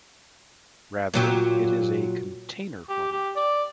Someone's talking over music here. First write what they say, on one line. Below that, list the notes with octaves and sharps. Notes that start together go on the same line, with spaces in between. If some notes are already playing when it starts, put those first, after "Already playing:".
Rather, it is a container format.
A#2 F#3 G4
G4
G4
D5